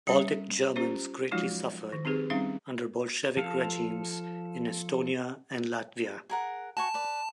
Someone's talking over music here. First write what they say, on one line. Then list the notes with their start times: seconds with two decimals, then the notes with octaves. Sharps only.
Baltic Germans greatly suffered under Bolshevik regimes in Estonia and Latvia.
0.07 G3 C#4 E5
0.76 C#4 F4 G4 C5
1.31 F3 F#3 G#3 D#4 F4 F#4
1.92 D#3
2.05 C4 D#4 G4 G#4 B4
2.30 G3 C4 C#4 D#4 F5
3.37 F3 A4 F5
6.29 G#4 A#4 F#5
6.77 F#4 G#5 A5 C#6
6.94 B4 D5